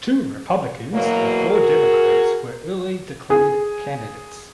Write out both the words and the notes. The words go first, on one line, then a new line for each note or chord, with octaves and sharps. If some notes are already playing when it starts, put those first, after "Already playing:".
Two Republicans and four Democrats were early declared candidates.
E2 B2 F#3 A#3
F#4 G#4 A#4
G#4